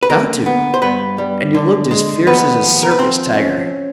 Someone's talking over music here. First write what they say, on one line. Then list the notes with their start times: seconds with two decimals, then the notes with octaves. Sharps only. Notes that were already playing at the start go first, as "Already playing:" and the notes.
"I've got to!" And he looked as fierce as a circus tiger.
0.03 B4
0.09 D3 A#3 A#4
0.46 B3
0.74 C5
0.82 G2 B3 B4
1.18 G3
1.54 D3
1.91 G#3
2.27 D#2 B3 B4
2.63 F3
2.83 A#4
2.91 B4
2.99 F3 C4 C5
3.35 C#4